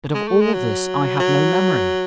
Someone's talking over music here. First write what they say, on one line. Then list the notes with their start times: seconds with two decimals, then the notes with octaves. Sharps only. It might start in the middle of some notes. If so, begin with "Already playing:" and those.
But of all this I have no memory.
0.14 G#3
0.28 A3
0.41 G#3
0.54 F#3
1.20 F#3